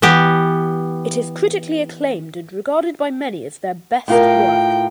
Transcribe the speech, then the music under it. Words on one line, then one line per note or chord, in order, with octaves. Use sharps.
It is critically acclaimed and regarded by many as their best work.
E3 B3 G4
A2 F4 A#4 G5